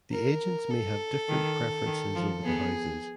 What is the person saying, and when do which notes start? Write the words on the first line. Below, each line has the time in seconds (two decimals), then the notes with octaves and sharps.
The agents may have different preferences over the houses.
0.11 A#4
0.70 A4
1.29 D#3
1.86 D#3
2.15 F3
2.44 B3 G#4